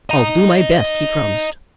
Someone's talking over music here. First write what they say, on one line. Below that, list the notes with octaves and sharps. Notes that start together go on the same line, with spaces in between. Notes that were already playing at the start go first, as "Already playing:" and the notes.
"I'll do my best," he promised.
D#5 A#5